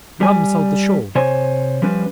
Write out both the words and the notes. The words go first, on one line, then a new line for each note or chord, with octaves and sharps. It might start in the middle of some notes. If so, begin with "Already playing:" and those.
Rum sold the shawl.
G3 G#5
C3 C5 C#5 G#5
F3 G3 C#4 B4